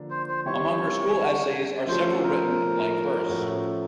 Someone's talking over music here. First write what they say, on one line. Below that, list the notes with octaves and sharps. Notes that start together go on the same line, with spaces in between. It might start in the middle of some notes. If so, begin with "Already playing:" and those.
Among her school essays are several written in blank verse.
Already playing: D3 F3 A#3 D4
C5
C5
D#3 G3 C4 E4 G4 C#5
F3 A3 C#4 F#4 A4 C5
A#4
A2 F3 A3 C#4 F#4